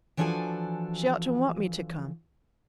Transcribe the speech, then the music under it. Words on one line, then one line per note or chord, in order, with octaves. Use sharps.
She ought to want me to come.
E3 F3 D4 F#4 A4 G#5